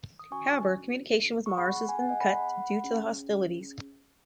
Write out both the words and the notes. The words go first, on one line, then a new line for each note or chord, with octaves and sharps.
However, communication with Mars has been cut due to the hostilities.
D#6
C#4 F#4 G#5 C#6
C#6
B3 G#4 F#5 B5
G#5
F#5
D#5 G#5
F#5 B5
C#4 G#4